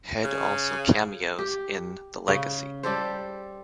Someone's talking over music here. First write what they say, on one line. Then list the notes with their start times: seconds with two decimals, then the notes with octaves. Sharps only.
Head also cameos in "The Legacy".
0.24 C#3
1.39 G4
2.28 C#3
2.83 G3 G4 A4 C5